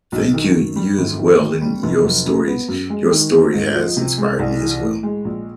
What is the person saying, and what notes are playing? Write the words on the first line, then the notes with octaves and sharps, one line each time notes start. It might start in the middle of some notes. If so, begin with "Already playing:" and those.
Thank you, you as well, and your stories. Your story has inspired me as well.
B1
D#3
F#2
G3
G#1
D#3
D#2
G3
F1
F#3
C#3
B3
F#2
G#3
D#3
C4
G#2
F3
C3
G#3
C2
E3
A2
G#3
A#1